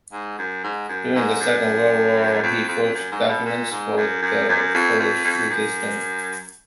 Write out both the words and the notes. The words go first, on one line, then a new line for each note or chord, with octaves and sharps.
During the Second World War he forged documents for the Polish resistance.
G#2
F#2
G#2
F#2
G#2
F#2
F2
F2
F2
F#2
G#2
B2
A#2
G#2
F#2
F#2
F#2
F2
F2
F2
F#2